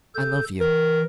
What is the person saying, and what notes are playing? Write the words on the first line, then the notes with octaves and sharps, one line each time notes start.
"I love you!"
A4 G6
E3 A#4